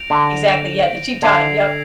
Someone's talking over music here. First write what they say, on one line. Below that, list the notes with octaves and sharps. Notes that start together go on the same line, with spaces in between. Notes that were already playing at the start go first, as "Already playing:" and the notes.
Exactly, yeah, the cheap time yep.
Already playing: G6 A#6 D7 F7
D3
G6 A#6 D7 F7
D3 E6 G#6 C7 F7